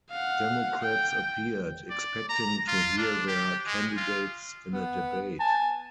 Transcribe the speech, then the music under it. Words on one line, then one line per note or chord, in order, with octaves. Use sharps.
Democrats appeared, expecting to hear their candidates in a debate.
F5 F#5
G5
D5
A#5
F4
D4
G4
G#3
F4
B3
G#5 A5